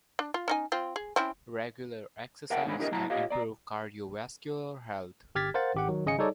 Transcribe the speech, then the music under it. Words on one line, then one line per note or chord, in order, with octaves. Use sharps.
Regular exercise can improve cardiovascular health.
D4
F4
C#4 D#4 G#5
C4 F4
G#4
C4 C#4 E4
G#4 A#4 E5 F#5 G5 A5
G#2 D3 D#3 G#3 C#4 B5
D4 E4 G4 G#4 A#4 D#5
A2 F#3 E4 A5 A#5
F4 G4 C#5 D#5 F5
D5 A#5
G1 G4 F6 G#6 A6 B6
A#4 C5 F5 F#5 A6
G#1 G4 F#5
D#3 F#3
G#1 C#3 D#5 G#5 C#7
G3 D#4 G#4 A4 C#5 D5